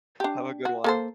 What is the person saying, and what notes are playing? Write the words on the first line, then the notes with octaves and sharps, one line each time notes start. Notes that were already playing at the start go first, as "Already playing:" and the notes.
Have a good one.
D4 G4
F#4
A#3 A4 C5